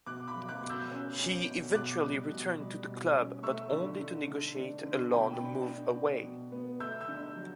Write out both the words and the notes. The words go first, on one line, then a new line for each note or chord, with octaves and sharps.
He eventually returned to the club but only to negotiate a loan move away.
B2 D6 F#6
B5 D6
F#3
D6 F#6
B2
E6 G6
C#4
C#4
B2
B2 D6 F#6
G3
B2
G3
B2
C#4
A3 C#6 E6
D3
D3
D3
D4
D3
B2 G5 B5
D4
D4
D4
B2
B3
A3 E6 G6
E6 G6
D3
F#3